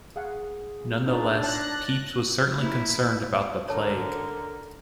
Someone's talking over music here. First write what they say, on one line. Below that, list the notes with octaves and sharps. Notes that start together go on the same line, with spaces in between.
Nonetheless, Pepys was certainly concerned about the plague.
G#4 F5 F#5
D4 D#4 F#4
C#5 A5 F#6 A6 A#6
A#3 E4
D3 A#4 C#5 A5